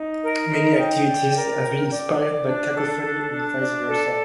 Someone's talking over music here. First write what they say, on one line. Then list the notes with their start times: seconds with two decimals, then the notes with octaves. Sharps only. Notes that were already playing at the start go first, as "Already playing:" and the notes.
Many activities have been inspired by Cacophony and vice versa.
Already playing: D#4
0.23 A#4
0.50 D#4
0.78 G5
1.07 D5
1.35 A#4
1.63 G5
1.90 D5
2.19 D5
2.47 D4
2.76 A4
3.04 D4
3.32 D4
3.60 D5
3.88 A4